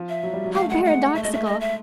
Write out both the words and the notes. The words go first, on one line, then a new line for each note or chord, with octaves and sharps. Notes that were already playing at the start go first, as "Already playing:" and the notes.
How paradoxical!
Already playing: F3
E5
F#3
G3
F#3
G#3 F5
A3
G#3 F#5
A3
G#3 F#5
A3 E5
G#3 D#5
A3 E5
D#5
E5